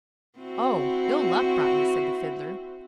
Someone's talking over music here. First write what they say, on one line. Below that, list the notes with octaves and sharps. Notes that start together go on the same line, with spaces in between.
"Oh, Ill-Luck brought me," said the Fiddler.
C4 E4 F#4